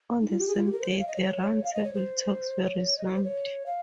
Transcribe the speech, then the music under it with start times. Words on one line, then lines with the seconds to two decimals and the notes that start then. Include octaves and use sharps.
On the same day, the round table talks were resumed.
0.21 D#4
0.30 F4
0.39 G4
0.48 G#4
0.55 F4
0.65 G4
0.72 A#4
0.81 C5
0.90 C#5
0.99 F5
1.07 D#5
1.16 C#5
1.64 F5
1.74 D#5
1.84 C#5
1.94 C5
2.63 C#5
2.98 D#5
3.06 C#5
3.15 C5
3.24 C#5
3.66 F5